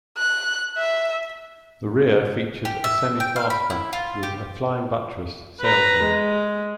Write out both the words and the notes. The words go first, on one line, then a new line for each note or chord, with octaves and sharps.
The rear featured a semifastback with a "flying buttress" sail-panel.
F#6
E5
G4
E5
G5
F5
B5
E4
F4
G4
B4 A#5
G#3